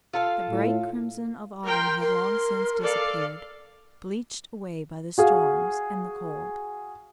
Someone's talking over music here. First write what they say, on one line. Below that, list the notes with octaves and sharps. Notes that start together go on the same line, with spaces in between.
The bright crimson of autumn had long since disappeared, bleached away by the storms and the cold.
F4 A4 F5
A2
A#4 G5 C6
A#4 C6
A4 D5 F5
F#4 G#4 F5